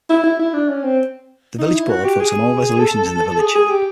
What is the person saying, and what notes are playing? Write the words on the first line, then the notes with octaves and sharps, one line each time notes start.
The village board votes on all resolutions in the village.
E4
E4
E4
D4
C#4
C4
D#4
E4
F#4
G4
G#4
A4
G#4
G#4
G4